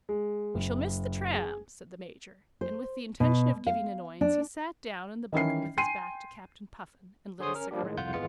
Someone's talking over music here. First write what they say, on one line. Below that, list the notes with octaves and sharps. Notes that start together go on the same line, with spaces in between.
"We shall miss the tram," said the Major, and, with the intention of giving annoyance, he sat down in the bunker with his back to Captain Puffin, and lit a cigarette.
G#3
F#1
G#4
C5
B2
F5
D4
D#3 E3 C#4 C7
G5 G#5 C6 C7 D#7
D3 G#4 C5 C#5 C6 D#6
C#4 A#4 F6
F3 G3 A#3 D4 G4
A2 D#3 G#3
C2 F2 F4 F#5 G6
G#1 E3 G#3 B3 F4 C#7